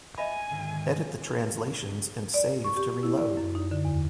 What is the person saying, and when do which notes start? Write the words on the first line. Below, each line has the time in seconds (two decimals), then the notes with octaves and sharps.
Edit the translations and save to reload!
0.18 D#5 E5 G#5 B5
0.51 G#2 D3 D#3
2.34 D5
2.64 C#6
2.77 G4
3.03 E4
3.18 D5
3.37 F#2
3.55 D#4
3.71 D3
3.85 E2